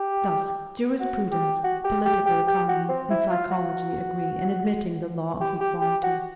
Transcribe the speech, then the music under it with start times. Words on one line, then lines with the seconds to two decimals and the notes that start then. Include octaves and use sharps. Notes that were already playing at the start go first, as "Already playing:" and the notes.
Thus, jurisprudence, political economy, and psychology agree in admitting the law of equality.
Already playing: G4
1.00 F#4
1.32 G4
1.64 F#4
1.84 G4
2.05 G4
2.26 G4
2.47 G4
2.68 F#4
2.89 C4
3.10 E4
3.30 F4
3.51 F#4
5.41 G4
5.61 G4
5.81 G4
6.03 F#4